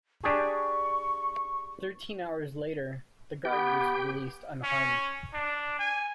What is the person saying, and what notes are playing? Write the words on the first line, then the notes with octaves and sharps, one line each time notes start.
Thirteen hours later, the guard was released unharmed.
D4 G4 G#4 C#6
B3 G4 G5
C#4
D4
G#5